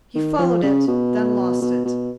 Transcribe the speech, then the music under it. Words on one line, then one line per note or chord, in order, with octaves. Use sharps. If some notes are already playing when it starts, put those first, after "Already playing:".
He followed it, then lost it.
D#3
F3
C#3
B2
B2
B2